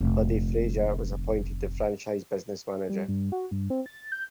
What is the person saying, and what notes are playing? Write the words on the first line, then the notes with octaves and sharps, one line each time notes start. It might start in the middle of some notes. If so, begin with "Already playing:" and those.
Buddy Frazier was appointed the franchise business manager.
F1 A#1
G3
G2
F#4
G2
C4
A6
G6